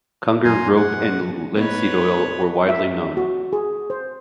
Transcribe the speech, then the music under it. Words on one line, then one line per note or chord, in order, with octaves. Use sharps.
Kungur rope and linseed oil were widely known.
F#2 B2 F#3 G#5 A#5 C6
F#5
B3 D#4 B4 C#5
E5
F#4
G#4
C5